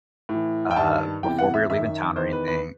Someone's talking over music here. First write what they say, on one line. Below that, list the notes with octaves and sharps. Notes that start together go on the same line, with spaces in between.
uh, before we were leaving town or anything,
A2
E3
G5
G2 D#3 A5
E2 C3 E3 G5
F#5
E5
F#2 D#3 E5
E2 D#3 C5
B4
B4